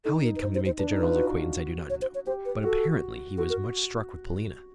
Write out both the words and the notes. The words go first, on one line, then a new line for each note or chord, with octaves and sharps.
How he had come to make the General's acquaintance I do not know, but, apparently, he was much struck with Polina.
D#4 A4
A#4
B4
C5
C5
C5
D4 B4
D#4
B4
F4
F#4
C#5
C5
C#5
G4 C5
B4
F#4 A4
F#4 A4
A#4